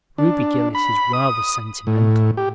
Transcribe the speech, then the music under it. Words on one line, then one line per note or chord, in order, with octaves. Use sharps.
Ruby Gillis is rather sentimental.
D4
B5
D#6
A2
G4